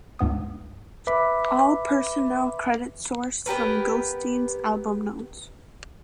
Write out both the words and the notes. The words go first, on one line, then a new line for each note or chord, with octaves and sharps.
All personnel credits sourced from "Ghosteen"s album notes.
C#2 G2 B3 D#6
B4 E5 B5 D6 B6
B3 G4 A#4 B4